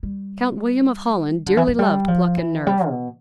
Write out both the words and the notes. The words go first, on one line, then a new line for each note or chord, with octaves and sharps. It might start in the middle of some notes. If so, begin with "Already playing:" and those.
Count William of Holland dearly loved pluck and nerve.
G3
D3
E3
F3
G3
F3
E3
G3
B2